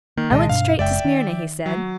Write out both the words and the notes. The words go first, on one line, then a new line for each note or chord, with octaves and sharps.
'I went straight to Smyrna,' he said.
D#3 A#3
C2 A#2 D#3 G#3 D#5 A5
G2 B2 D4 F5
F#1 G#3 D5 E5 G5
D#3
F#3